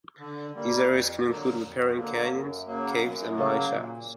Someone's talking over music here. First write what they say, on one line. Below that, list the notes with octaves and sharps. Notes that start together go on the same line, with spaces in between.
These areas can include riparian canyons, caves, and mine shafts.
D3
G3 A#3
F2
D3 F#3 A#3
F2
D3 F#3 A#3
F#2
C#3 F#3 A#3
F#2
C#3 F#3 A#3
A#2